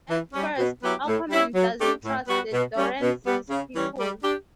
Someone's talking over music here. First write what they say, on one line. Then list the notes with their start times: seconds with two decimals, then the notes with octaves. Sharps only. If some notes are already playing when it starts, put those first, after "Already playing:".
At first, Aquaman doesn't trust the Dorrance's people.
0.08 E3
0.33 G3 C#4
0.58 B2
0.82 F#3 B3 E4 G4
1.06 A2
1.30 G3 C#4 E4
1.55 F#3
1.79 A3 D4 G4
2.03 A2
2.27 G3 B3 F#4
2.53 B2
2.76 G3 C#4
3.01 B2
3.25 G3 B3
3.49 C#3
3.74 E3 G3 C#4
3.99 G3
4.22 D4 G4